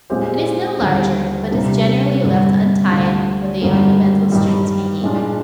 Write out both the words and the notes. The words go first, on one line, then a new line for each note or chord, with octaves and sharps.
It is no larger, but is generally left untied with the ornamental strings hanging.
A#2 G#3 C4 G4
D#2 D3 G3
C3 G3 A#3 D4 G4
G2 D3 G3
D2 D3 G3
G#1 G2 D3 G3 A#3
G2 D#3 G3
A#2 G#3 D4 F4